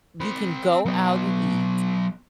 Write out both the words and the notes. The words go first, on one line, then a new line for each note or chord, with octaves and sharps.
you can go out and eat,
C4 B5
F#3 B3